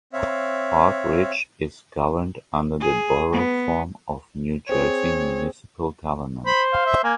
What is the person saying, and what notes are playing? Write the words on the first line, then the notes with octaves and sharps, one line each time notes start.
Park Ridge is governed under the Borough form of New Jersey municipal government.
C4 C#5 E5 F5
G#4
B3
C4 G#4 C#5
C5 B5
F5
E5
A#3 G#5